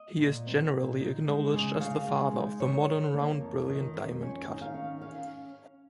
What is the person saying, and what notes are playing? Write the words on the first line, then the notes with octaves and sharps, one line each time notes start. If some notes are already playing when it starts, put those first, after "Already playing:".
He is generally acknowledged as the father of the modern round brilliant diamond cut.
Already playing: D#5
A#2
C4
A#2
D#4
G#3
C#3
C#3 F5
G#3
D#4
D#3 C#5
D#3
A#3
F2
D#3
F2
C#4
D#3
F5
C#4
C#4 F5